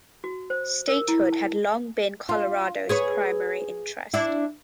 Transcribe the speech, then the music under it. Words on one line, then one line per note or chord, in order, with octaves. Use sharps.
Statehood had long been Colorado's primary interest.
F#4
C5
A#4
E4
A5
F4
G#4 B4 C#5
D4 E4